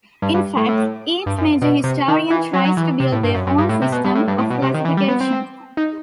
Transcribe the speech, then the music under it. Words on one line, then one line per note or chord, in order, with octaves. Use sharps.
In fact, each major historian tries to build their own system of classification.
G2
G2
A2
A2
G2
F#2
B2
C3
D#3
E3
F#3
F#3
E3
C3
A2
G2
F#2
F#2
G2
A2
C3
B2
G2
A2
G2
A2
B2
C3
D#3
E3
G3
B3
C4
D#4